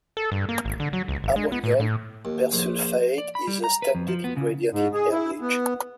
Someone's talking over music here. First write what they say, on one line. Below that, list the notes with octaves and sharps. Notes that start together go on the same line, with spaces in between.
Ammonium persulfate is a standard ingredient in hair bleach.
A4
G2
A#3
G#1
D3
F#3
C#2
G#1
G#3
B3
A2
A2
D#2
A#1
D5
B5
G3
A#5
B4
F2
F3
B3
C#3
G#2
G#4
E4
B3